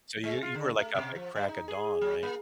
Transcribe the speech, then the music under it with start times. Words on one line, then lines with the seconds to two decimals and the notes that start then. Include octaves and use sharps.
So, you you were like up at the crack of dawn, right?
0.24 G#3
0.42 F4
0.55 D3
0.78 A3
0.95 B2
1.15 F3
1.36 G3
1.48 D#4
1.68 G#4
2.01 F#3
2.23 A#3